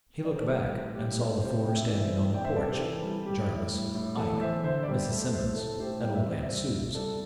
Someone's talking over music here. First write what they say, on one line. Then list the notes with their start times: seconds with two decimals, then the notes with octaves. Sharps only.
He looked back and saw the four standing on the porch, Jarvis, Ike, Mrs. Simmons, and old Aunt Suse.
0.25 D5
0.33 C5
0.40 A4
0.49 G3 G4
0.72 A2
0.94 G3 G4
1.12 G4
1.18 A2 A4
1.40 C3 G4 C5
1.63 C3 G5
1.75 E5
1.88 E3 D5
1.99 C5 E5
2.10 G3
2.33 C3 D5 G5
2.44 C5 E5
2.56 C3 A4 D5
2.68 G4 C5
2.79 E3 A4
3.02 G3
3.25 G3 G4
3.49 A2
3.72 G3
3.95 A2
4.17 E2 A4
4.41 E2 C5 E5
4.63 D3 C5 E5
4.83 D5
4.87 G3 G4 C5
5.10 A3 A4
5.33 A2 C5 E5
5.56 A3 A4
5.80 A2 G4 C5
6.02 G3 G5
6.15 E5
6.26 C3 D5
6.42 C5 E5
6.48 G3
6.71 C3
6.94 G3 A4 D5